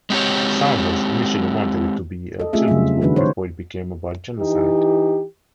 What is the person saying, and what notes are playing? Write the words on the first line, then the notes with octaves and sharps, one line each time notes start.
Saunders initially wanted it to be a children's book before it "became about genocide".
G#3 C4 G4 C#5
A4 D#5
A3 C4 C#4 F4 G#4 E5
C#3 F#3 G3 C4 E5
D#3 F3 D4 D#4 F#4 B4
C5 C#5
E3 D#4 G4